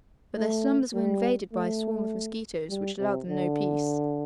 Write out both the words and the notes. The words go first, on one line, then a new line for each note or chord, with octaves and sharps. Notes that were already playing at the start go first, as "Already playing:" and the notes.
But their slumbers were invaded by a swarm of mosquitoes, which allowed them no peace.
A3
G3
A3
G3
C3
D3